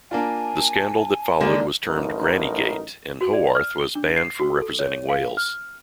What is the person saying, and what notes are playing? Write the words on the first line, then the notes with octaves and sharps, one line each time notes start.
The scandal that followed was termed "grannygate" and Howarth was banned from representing Wales.
A#3 D4 F4 G#5 A5
D3 G#3 A#3
A1 F#3 D#4 A#4
F#4
D5
F6
G7
D4
C7
F#4
A4
C#5
F5
F6